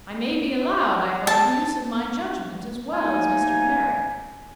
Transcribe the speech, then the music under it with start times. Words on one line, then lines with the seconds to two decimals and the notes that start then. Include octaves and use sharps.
I may be allowed, I hope, the use of my judgment as well as Mr. Perry.
1.27 A5
2.93 G#2 A3 A#3 D#4 G#5